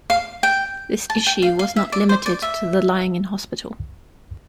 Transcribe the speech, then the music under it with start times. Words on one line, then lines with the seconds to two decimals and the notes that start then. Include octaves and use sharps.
This issue was not limited to the Lying-In-Hospital.
0.10 F5
0.43 G5
1.10 A5
1.26 G5
1.42 F5
1.59 F5
1.76 E5
1.92 D5
2.09 C5
2.26 D5
2.42 E5